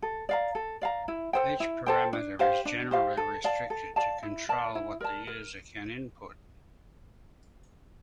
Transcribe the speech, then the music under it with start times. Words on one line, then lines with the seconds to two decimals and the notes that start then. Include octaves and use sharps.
Each parameter is generally restricted to control what the user can input.
0.02 A4
0.29 D5 F5 A#5
0.55 A4
0.81 D5 F5 A#5
1.08 E4
1.33 A4 C5 G5
1.60 E4
1.86 A4 C5 G5
2.13 D4
2.39 G4 C5 F5
2.65 D4
2.91 G4 C5 F5
3.17 A4
3.44 D5 F5 A5
3.70 A4
3.96 D5 F5 A5
4.23 E4
4.49 A#4 D5 A5
4.75 E4
5.01 A#4 D5 A5
5.27 A#4